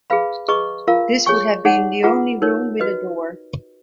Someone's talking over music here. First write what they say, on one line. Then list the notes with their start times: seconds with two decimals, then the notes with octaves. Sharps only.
This would have been the only room with a door.
0.10 G#4 B4 F5 B5
0.48 G#4 B4 D#5 A#5 C#6
0.87 F4 A#4 F5 A#5
1.26 G#4 C#5 G#5 C#6
1.65 D#4 G#4 C#5 F#5
2.03 F4 G#4 B4 F#5 A#5
2.42 D#4 A#4 C#5
2.80 F#4 B4 D#5